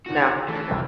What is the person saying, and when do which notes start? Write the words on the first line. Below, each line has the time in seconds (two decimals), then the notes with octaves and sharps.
No. No, no.
0.06 D#2 D3 F3 F#4
0.48 E3 A3 A5 A6
0.70 F1 C2 G#2 G5 E6 F6